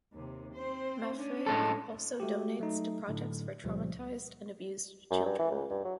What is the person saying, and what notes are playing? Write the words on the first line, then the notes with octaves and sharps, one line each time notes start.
Maffay also donates to projects for traumatised and abused children.
D#2 C3
C4 C5
C#4 D4
A2 G#3 A4
G#3 A3 F#4 G4
F#3 A3 D#4
A2 D3 F#3
C#2 A#2 C#3 F3 G3
F#2
G2
E3
C#2
G2
F#3